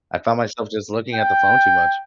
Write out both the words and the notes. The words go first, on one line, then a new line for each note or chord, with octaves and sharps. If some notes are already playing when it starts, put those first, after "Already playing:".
I found myself just looking at the phone too much,
G5